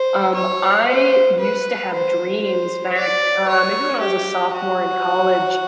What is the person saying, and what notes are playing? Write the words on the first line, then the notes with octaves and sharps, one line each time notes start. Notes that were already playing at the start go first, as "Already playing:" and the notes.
Um, I used to have dreams back, uh, maybe when I was a sophomore in college
Already playing: C5
C#5
C5
B4
C5
C5
D5
C#5
G4
F#4